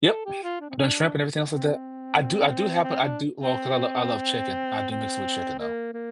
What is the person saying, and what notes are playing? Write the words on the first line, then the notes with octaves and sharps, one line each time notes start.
Yep. I've done shrimp and everything else like that. I do I do have I do well, 'cause I l I love chicken. I do mix it with chicken though,
A4
G4
F4
D4
C4
D4
C4
C4
D4
C4
C4
A#3
A#3